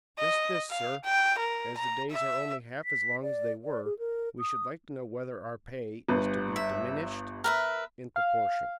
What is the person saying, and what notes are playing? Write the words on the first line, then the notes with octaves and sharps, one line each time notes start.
"Just this, sir; as the days are only half as long as they were, we should like to know whether our pay is to be diminished in proportion."
D#5
F5
G5
A#4
A#5
E5
B6
D5
D5
G#4
A#4
D#6
G1 G2 B4
E5
A#4 B4 E5
F5